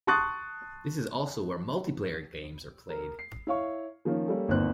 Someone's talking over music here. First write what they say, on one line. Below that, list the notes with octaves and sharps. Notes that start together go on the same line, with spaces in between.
This is also where multiplayer games are played.
A5 C6 C#6 D#6 F#6 A6
A#4
C7
E4 C#5 F5 C#6
D#3 F3 A#3 C#4
G3 A#3 C#4 G4 A4
G1 D#2 C4 C5 F#6